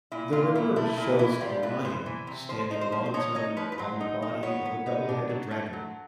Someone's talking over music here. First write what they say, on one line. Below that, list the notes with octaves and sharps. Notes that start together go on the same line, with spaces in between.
The reverse shows a lion standing wanton on the body of a double-headed dragon.
A#2 E4
A#2 F4
A#2 E4
A3 E4
A#2 E4
E3 E4
E4
G3 F4
C3 B4
E3 C5
E3
C3
F3 C5
D#4
C5
F3
C5
D#4 C#5
D#4 C#5
F3 B4
B4
F#3 C5
D#4
D#4
B3 C#5
B3
D#4
D4
F#3
A3
F#3